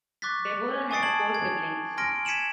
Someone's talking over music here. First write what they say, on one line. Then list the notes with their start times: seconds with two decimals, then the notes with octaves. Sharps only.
Deborah has four siblings.
0.22 C#6 D6 F#6 A6 B6
0.91 G#5 C#6 D#6 A6 C7 D7
1.03 A5 G#6 F#7
1.34 G#6
1.97 G#5 C6 F6 A#6 D7
2.25 G#6 B6 C#7 D#7 E7 F#7